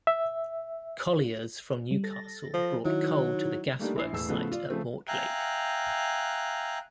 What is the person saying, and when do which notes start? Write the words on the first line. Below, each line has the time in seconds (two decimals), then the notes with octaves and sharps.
Colliers from Newcastle brought coal to the gasworks site at Mortlake.
0.07 E5
1.91 G3
2.04 A4 A6 A#6
2.53 F3
2.85 D#3 F#3 D#4 E4
3.79 G3 A3 A#3 D4 D#4 G4
3.96 A#1 E4 C7
4.13 E1 A2 E6
4.29 A2 C#3 F3 B3 A4
4.52 F4 D5
4.69 C#3 F3 A3 C4
5.08 E5 F5 G5 G#5 A#5 F#6